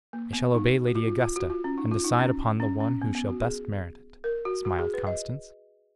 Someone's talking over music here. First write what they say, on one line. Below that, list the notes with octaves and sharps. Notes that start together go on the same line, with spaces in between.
"I shall obey Lady Augusta, and decide upon the one who shall best merit it," smiled Constance.
A#3
B3
D#4
F#4
F4
F4
F4
F#4
F4
C#4
D#4
F4
D#4
C#4
C#4
C#4
B3
B3
F#4
G#4
A#4
F#4
F#4
G#4
B4
D#5